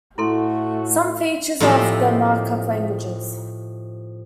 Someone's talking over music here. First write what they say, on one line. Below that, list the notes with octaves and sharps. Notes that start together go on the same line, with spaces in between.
Some features of the markup languages.
A2 A3 E4 F#4 A4 C6
A2 F3 C4 D#4 G4 E5